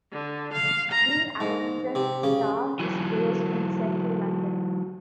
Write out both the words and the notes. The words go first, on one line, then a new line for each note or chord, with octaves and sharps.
Green Alliance's staff is based in central London.
D3
F5
A#5
G#2
C3
C#3
E3 F#3